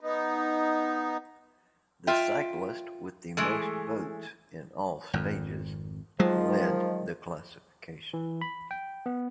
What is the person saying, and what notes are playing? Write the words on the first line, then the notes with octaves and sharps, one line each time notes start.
The cyclist with the most votes in all stages lead the classification.
B3 D#4
F4 E5 G5
E3 G#3 A3
G#1 F2
D#3 F3 F#3 G#3
E3
B5
G5
B3